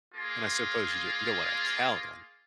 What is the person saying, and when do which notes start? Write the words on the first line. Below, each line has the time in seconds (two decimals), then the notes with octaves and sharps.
And I suppose you don't you don't wanna count on
0.15 A#3 F4 G#4